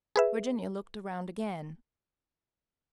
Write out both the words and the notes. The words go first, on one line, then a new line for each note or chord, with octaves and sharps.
Virginia looked around again.
G#4 B4 E5